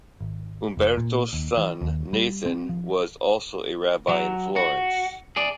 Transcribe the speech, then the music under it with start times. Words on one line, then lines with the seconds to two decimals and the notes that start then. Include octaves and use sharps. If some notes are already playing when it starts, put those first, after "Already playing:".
Umberto's son Nathan was also a rabbi in Florence.
0.21 G#1
0.77 F1
0.97 A#2
1.33 D#2
1.57 E3
1.81 D#2
2.13 G3
2.46 C4
2.69 F3
4.09 F#3
4.56 F#4
5.36 G#4 D5